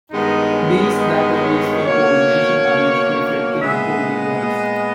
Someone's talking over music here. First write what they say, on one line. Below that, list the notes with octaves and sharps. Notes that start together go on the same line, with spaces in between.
Bees that are used for pollination are usually fed in the holding yards.
G2 D#3 G#3 B3 D#4
C#4
D#4
C#5
B2 A#3 C#5
A#2 G#3 B3 E5
D#5